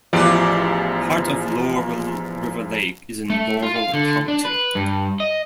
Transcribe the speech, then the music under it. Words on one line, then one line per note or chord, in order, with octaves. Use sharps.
Part of Laurel River Lake is in Laurel County.
A1 E2 F3 E4 G4 D5
A3
F4
F5
D3
D4
B4
G2
D#5